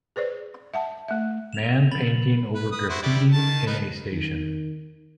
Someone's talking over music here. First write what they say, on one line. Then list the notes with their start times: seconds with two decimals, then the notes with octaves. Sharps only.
Man painting over Graffiti in a station.
0.16 G#4 B4 C5 D5
0.74 E5 F#5 A5
1.08 A3 E5
1.53 E7 F7
1.91 A#2 F3 B5 A6 F#7
2.55 B4
2.72 B4 D#6
2.90 E4 F#4 C5
3.03 G3 E4 D5
3.33 D#3 A5
3.67 D#4 A#4 B4
4.12 D#3